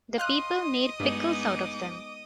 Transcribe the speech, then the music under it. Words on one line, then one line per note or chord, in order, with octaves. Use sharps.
The people made pickles out of them.
D#5 F5 C6 D#6 F6 F#6
G2 G#3 B3 D#4 D6